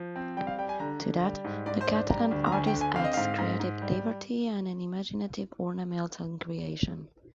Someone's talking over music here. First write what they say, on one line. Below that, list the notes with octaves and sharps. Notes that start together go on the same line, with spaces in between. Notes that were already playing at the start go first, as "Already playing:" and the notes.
To that, the Catalan artist adds creative liberty and an imaginative, ornamental creation.
Already playing: F3
C4
G3 G5
F5
G3 G5
G#5
D3 A#5
D3
G3
G#2
G#2 D5
C5
D4
C5
G3 A#5
D2
A#5
D2 G#5
G5
D3
G#5
C4 F5
D#5
G#2 F5
G#2
G#2
G3